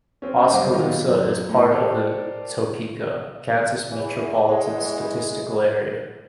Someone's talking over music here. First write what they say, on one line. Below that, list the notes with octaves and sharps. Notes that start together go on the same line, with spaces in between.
Oskaloosa is part of the Topeka, Kansas Metropolitan Statistical Area.
C4 C#4
F#1 G3 C5 D#5 D6
D#3 F#3 B3 D#4 F4 G4
F#2
A2
G4 A4 A#4 C5 D5 D#5
E2 E3
G#3